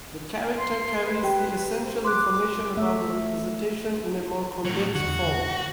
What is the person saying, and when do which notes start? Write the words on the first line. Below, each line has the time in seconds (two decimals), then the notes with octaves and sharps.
The character carries the essential information about the representation in a more condensed form.
0.58 C6
1.04 B4
1.23 G4 G5
1.83 C5
2.05 C6 D6 F#6
2.77 A3 E5
4.65 A2 F#3
4.95 E2 D3 F#4